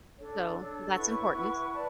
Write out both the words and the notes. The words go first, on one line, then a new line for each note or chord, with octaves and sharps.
So, that's important.
D4 A4 C#5
D4 A4 C#5
E4 B4 F#5 C#6
E4 B4 F#5 C#6
B4 D5 A5